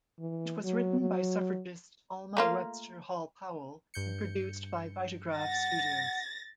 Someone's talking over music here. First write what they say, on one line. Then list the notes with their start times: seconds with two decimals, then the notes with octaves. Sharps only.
It was written by suffragist Alma Webster Hall Powell and produced by Vitagraph Studios.
0.19 E3
0.64 F#3
1.00 F#3
2.37 A3 A#3 F4
3.94 G2 G6 C#7
5.37 F#5 A6 A#6